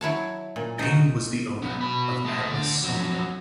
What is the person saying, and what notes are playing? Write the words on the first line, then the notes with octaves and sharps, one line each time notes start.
Payne was the owner of Atlas sawmill.
F#3 E4 C#5 A5
A#2
D#4 F#4
B1 B3
B2 B5
G#3 A3
D2 D5
F2 F#3